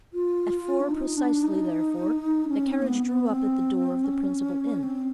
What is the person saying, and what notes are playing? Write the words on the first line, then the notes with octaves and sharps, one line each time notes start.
At four precisely, therefore, the carriage drew up at the door of the principal inn.
F4
D4
D#4
D4
D#4
C#4
C4
A#3
B3
B3
C4
C#4
C4